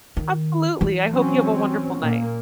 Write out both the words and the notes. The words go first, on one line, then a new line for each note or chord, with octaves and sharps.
Absolutely. I hope you have a wonderful night.
D#3
E3 E4
F#3 C4 C#4
A#2 A#3